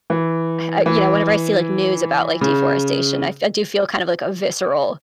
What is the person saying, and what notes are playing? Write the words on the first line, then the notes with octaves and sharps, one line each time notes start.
uh, you know, whenever I see, like, news about, like, deforestation, I f I do feel kind of like a visceral
E3
E3
C#3